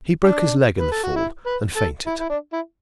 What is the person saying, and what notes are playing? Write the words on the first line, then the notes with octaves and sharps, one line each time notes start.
He broke his leg in the fall, and fainted.
D4
B4
A4
F#4
E4
B4
A4
E4
E4
D4
E4